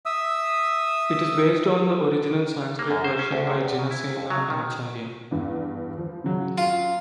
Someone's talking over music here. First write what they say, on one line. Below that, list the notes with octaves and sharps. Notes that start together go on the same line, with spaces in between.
It is based on the original Sanskrit version by Jinasena acharya.
E5 D#6 E6
A#3
F#2
C5
C#4
D2
C3
E2
C#3
E4
F2
F#3
D#3
E2 G2
F3
C#3 F#3
F4